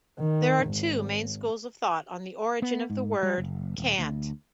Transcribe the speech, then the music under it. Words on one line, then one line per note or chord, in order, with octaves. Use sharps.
There are two main schools of thought on the origin of the word "cant".
D#3
G#1
B3
G#2
G3
F#1
D#1
D2